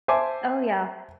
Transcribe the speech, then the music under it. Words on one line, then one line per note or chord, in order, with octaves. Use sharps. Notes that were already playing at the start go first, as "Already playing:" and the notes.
Oh, yeah.
C5 E5 G#5 A5 D6